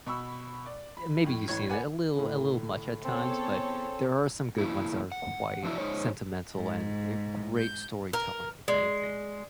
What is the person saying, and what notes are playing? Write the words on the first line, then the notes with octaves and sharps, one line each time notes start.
uh, maybe you've seen it a little a little much at times, but there are some good ones that are quite sentimental and uh, great storytelling, if anything.
B2 B5 C#6 E6
D5
B5
F2 A2
A1 A2 E3 C#5 G#6
A#3 B4 D5 F#5 G#5
A2 D3
B3 C4 G#4 A4 C#5
E3 A3 A#3 E4
F#5
F3 F#3 C#4 D4 E4 F#4
G#3 D#4 C5 C#5
G#2
G6
A#4
G#3 D5